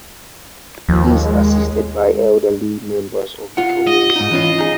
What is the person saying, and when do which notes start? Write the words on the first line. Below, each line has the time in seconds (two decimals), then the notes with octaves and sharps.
He is assisted by elderly members of the community.
0.89 D#2 F3
1.20 G#3
3.57 F4 F#5
3.87 D#5
4.16 G#2 D#4
4.31 E3 C#4 F4
4.59 D#4 G#4